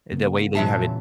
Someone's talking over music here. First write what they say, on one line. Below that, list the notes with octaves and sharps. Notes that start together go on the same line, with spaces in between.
The way that you have it
C#3 A#3 B3
A#2 E3 F#3 G#3 C#4 E5 A5